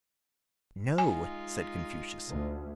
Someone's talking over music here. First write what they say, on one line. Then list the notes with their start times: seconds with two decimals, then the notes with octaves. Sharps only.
"No," said Confucius.
0.98 G#3 D#4 F4 G#5
2.29 D2